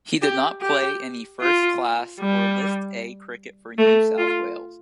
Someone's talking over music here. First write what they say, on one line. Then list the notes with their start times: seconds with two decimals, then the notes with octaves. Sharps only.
He did not play any first-class or List A cricket for New South Wales.
0.22 G4
0.62 G4
1.41 F4
2.20 G3
3.78 A3
4.18 F4